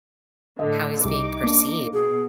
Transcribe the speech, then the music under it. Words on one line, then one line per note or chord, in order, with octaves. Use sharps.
How he's being perceived?
A2 D3 D#5
C2 D#4 D6
A#3 D4
B2 G#4